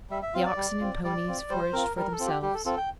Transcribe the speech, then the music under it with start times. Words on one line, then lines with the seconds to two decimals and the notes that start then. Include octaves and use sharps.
The oxen and ponies foraged for themselves.
0.10 G3 E5
0.22 E5
0.34 C4 F4 F5
0.46 D5
0.57 G3
0.80 C4 F4
1.04 G3 D5
1.27 C4 F4
1.50 G3 C5
1.73 C4 F4 A#4
1.97 G3 A#4
2.12 A4
2.19 C4 F4
2.27 G4
2.42 G3 G4
2.54 A4
2.65 C4 F4 A4
2.77 G5